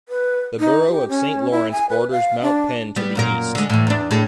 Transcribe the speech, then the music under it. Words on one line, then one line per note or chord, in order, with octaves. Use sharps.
The borough of Saint Lawrence borders Mount Penn to the east.
B4
D#4
G4
C#4
E4
G#5
B4
F5
D4
G3 B3
F#2 A#2 A#4
D3 G#3
A2 E3
E2 D4
A2 G#4 A4